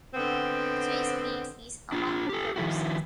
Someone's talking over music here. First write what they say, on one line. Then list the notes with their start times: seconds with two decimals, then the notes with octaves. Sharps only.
Swizz Beatz is among the producers.
0.14 D3 B3 C4
1.92 D4 F4
2.29 G4 A4
2.56 D#3 F3 E4 F#4